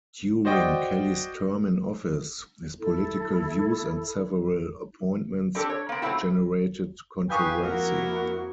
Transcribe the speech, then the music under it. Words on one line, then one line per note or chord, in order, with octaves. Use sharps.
During Kelly's term in office, his political views and several appointments generated controversy.
F#4 C5 D5 D#5 G5
E4 A4
C4 D4 G4 A4
C#5
A#3 C4
F#3 A3 C4 E4 F#4
G4 B4 F5 G#5 C#6 D#6 G6
F2 A#3 E4 F#4 A#4